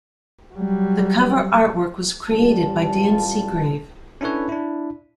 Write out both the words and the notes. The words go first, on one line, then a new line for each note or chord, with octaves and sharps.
The cover artwork was created by Dan Seagrave.
F#3 G3
A1 G3 F4 A5
C#4 D4 E4 A4 B4 C#5
D4 E4